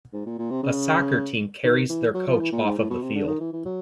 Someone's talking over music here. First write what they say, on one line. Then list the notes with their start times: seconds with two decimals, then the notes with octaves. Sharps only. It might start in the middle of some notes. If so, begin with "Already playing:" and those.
A soccer team carries their coach off of the field.
0.13 G#2
0.26 A#2
0.39 A#2
0.50 C3
0.63 C#3
1.64 D#3
1.90 E3
2.14 F#3
2.28 F3
2.39 E3
2.52 A#2
2.65 G#2
2.78 A2
2.90 B2
3.03 C3
3.15 D3
3.28 D#3
3.40 E3
3.53 E3
3.65 F#3